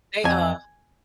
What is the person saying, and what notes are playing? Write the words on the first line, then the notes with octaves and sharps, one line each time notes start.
They are.
F2 G#5